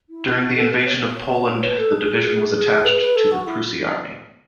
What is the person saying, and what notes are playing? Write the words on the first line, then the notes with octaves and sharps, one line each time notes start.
During the Invasion of Poland, the division was attached to the Prusy Army.
E4
F#4
A4
B4
C#5
B4
A4
G#4
G#4
B4
B4
A4
F#4
E4